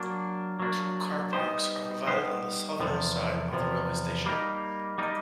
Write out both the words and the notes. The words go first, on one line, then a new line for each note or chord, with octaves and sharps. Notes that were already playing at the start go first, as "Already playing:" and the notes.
Two car parks are provided on the southern side of the railway station.
Already playing: F#3 A#3 D4
F#3 A#3 D4
G3 B3 D#4 G4 C5
G3 B3 D#4 G4 C5
E2 C3 F3
E2 C3 F3
G3 A#3 D#4
G3 A#3 D#4